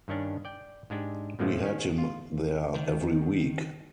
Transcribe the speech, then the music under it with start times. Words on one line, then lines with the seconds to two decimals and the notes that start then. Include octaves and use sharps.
We had him there every week.
0.08 G2 D#3 C#4 D4
0.45 D5 G5
0.90 G#2 G#3 D4 G4
1.39 A2 D3 F3 F#3 G#3 A3
1.63 D#3 C#4
1.98 F4
2.75 D#3